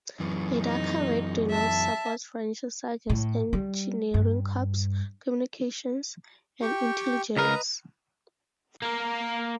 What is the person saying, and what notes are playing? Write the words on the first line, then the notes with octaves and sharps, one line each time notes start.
A darker red denotes support branches such as Engineering Corps, Communications, and Intelligence.
F#2 E3
D#4
E5 A5
A2
G3
G2
G4 G5 C#6
C#2 A#4 B4 D#5 A#5
A#3 A#4